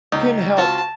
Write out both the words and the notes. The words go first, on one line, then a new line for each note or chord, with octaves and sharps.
can help.
C#2 D#4
C4 F4 F#4 A5